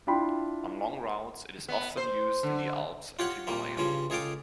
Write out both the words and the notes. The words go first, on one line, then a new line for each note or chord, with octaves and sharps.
On long routes it is often used in the Alps and Himalaya.
D4 E4 F4 G5 B5 C6
B3
C5
D3
F4 G4 C#5 F#5
A#2 G3 A#3 C4
G2 C#3 F3 G3 C4
C#2 G#4 A4 F5 G5 D6